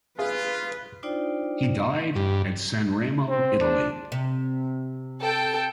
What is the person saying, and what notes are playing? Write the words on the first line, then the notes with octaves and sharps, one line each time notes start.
He died at Sanremo, Italy.
F4 G#4 B4 F5
D4 D#4 F4 C5 D5 G5
G2
C4 C5
D4
C3
A4 G5